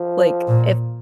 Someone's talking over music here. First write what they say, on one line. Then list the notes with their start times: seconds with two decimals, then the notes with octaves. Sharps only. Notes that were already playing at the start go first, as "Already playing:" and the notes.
Like, if
Already playing: F3
0.48 A#2